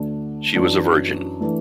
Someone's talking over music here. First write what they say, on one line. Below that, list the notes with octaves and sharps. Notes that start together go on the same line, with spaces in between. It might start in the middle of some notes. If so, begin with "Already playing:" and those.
She was a virgin.
Already playing: D2 D3 A3 D4
F#2 E3 D4
E3 A3 D4